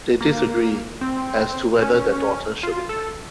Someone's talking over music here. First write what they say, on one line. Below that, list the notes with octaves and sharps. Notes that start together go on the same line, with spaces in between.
They disagree as to whether their daughter should be married.
A#3
C4
C#4
F4
A4